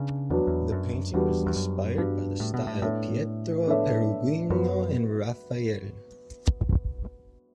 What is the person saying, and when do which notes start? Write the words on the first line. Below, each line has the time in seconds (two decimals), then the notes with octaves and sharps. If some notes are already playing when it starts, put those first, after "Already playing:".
The painting was inspired by the style of Pietro Perugino and Raphael.
Already playing: C#3 B3 D4
0.30 E2 F#3 B3 D4 F#4
0.47 E2
0.72 F#2
1.14 E2 G3 B3 D4 F#4
1.46 E2
1.56 F#2
1.98 G2 G3 B3 D4 F#4
2.40 A2
2.54 B2
2.67 A2
2.82 A2 B3 D4 A4 C#5 E5
3.66 B3 D4 A4 C#5 E5
4.50 F#2 B3 F#4 B4